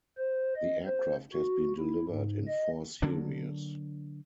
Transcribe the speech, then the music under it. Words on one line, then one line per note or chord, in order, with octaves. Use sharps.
The aircraft has been delivered in four series.
C5
D#5
C5
F#4
E4
G#2
D#5
D3 F#3 A#3 D4